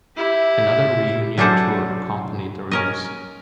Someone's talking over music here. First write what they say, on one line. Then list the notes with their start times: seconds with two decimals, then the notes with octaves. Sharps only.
Another reunion tour accompanied the release.
0.16 E4 G4
1.37 F#3 C#4 D4 G#4 A4 C5
2.71 C#4 A#4 D#5